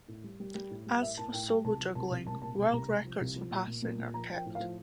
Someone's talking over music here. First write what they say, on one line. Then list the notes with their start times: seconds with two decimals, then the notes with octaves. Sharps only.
As for solo juggling, world records for passing are kept.
0.08 A2
0.24 G3
0.40 G3
0.55 G3
0.70 A2
0.86 G3
1.02 A2 E5
1.17 A2 A5
1.33 A2 G5
1.48 G3 G5
1.64 C2 A5
1.80 F3
1.95 C2 A5
2.11 C2
2.27 C2 A5
2.42 A#2 A5
2.58 C2
2.73 C2 A#5
2.89 C2
3.05 F3
3.21 C2
3.36 F3
3.51 A#2
3.67 A#2
3.82 A#2
3.98 A#2
4.14 F3 A#5
4.30 F3 G5
4.45 A2
4.55 F5
4.60 F3